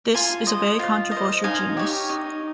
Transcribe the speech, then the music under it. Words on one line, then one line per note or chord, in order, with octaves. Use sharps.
This is a very controversial genus.
F4 G#5 C6
C5 D#5
F4
D#5
C5
D#4 F5 G#5
G4 C#5
D#4